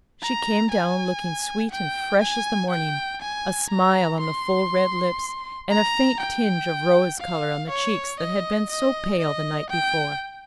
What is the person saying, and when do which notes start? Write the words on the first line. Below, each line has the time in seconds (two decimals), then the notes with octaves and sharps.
She came down looking sweet and fresh as the morning; a smile on the full red lips, and a faint tinge of rose color on the cheeks that had been so pale the night before.
0.22 A#5
0.71 G#5
1.72 G5
2.22 G#5
2.70 G5
3.22 G#5
3.70 A#5
4.20 C6
5.70 A#5
6.20 G5
7.20 F5
7.70 C#5
8.20 D#5
8.70 D#5
9.19 D#5
9.70 G5